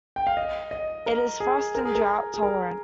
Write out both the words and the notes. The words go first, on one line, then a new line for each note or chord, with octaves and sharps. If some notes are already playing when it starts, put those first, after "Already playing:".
It is frost and drought tolerant.
G5
F5
D#5
D#5
A#4
G#4
A#4
G#4
A#4
G#4
A#4